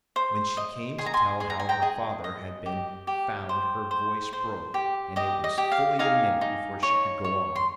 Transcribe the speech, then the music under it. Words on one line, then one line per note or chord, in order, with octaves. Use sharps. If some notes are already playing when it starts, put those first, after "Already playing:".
When she came to tell how her father had been found her voice broke and it was fully a minute before she could go on.
C5
D#5
G#4 C6
A#5
G#5 C6
G#4 C6
A#5
G#5
G5 A#5
G#4 D#5
D#5
G4
G4
C5
C5
C5
G4
G4 D#5
D#5
G4
F5
D#4 F5 G#5
D#4
C#5
C#5
C6